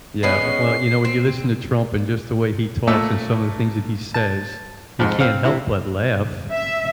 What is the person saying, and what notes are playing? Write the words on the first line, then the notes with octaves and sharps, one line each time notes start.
Yeah, well, you know, when you listen to Trump and just the way he talks and some of the things that he says, you can't help but laugh.
G#3 B3 C#4 C7
C4
A#2 A3 E6
A5
F2 G#2
C4 F5
C3 E4
E5